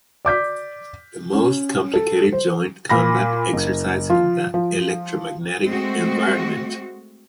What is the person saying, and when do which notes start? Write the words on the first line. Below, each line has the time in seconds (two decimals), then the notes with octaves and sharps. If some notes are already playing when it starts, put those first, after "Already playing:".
The most complicated joint combat exercise in the electromagnetic environment.
0.25 D5 D6 G6 B6
1.33 C#4
1.94 A4
2.32 C5
2.89 A#2 B5 A#6
3.53 F#1
4.09 F3 F4
4.54 F3
5.67 G#3 A3 C4 F#4